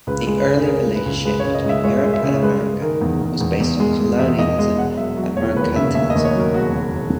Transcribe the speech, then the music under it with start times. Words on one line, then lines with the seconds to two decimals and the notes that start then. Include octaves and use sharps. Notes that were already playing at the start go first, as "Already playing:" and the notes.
The early relationship between Europe and America was based on colonialism and merchantilism.
0.07 C#2 B4
0.27 G#3
0.37 B4
0.46 C#3
0.62 G#4
0.66 C#3 A#4
0.86 G#3
0.96 B4
1.06 C#2
1.25 G#3 B4
1.40 C#5
1.45 C#3
1.54 D#5
1.64 C#2
1.69 E5
1.84 G#3 C#5
1.98 E5
2.04 G#3
2.13 E5
2.23 C#3 C#5
2.42 G#3 B4
2.62 G#3
2.82 D#3 A#4
3.01 E2
3.21 E2
3.41 E2
3.60 E2
3.80 G#3
4.00 G#3
4.19 E2 E5
4.39 E2 D#5
4.58 G#3 D#5
4.77 E1 F#5
4.97 F#3 E5
5.17 F#3
5.37 E1 C#5
5.56 D#2 B4
5.76 C#3 E5
5.95 D#2 E5
6.10 D#5
6.16 D#2
6.25 C#5
6.35 F#3 A#4
6.54 E1 F#4
6.74 D#2
6.93 E1